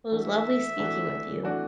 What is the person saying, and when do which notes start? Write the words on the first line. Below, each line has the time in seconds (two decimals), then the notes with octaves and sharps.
Well, it was lovely speaking with you.
0.12 E3 A3 D4 F#4 E5
0.77 E3 A3 D4 F#4
1.43 E3 A3 D4 F#4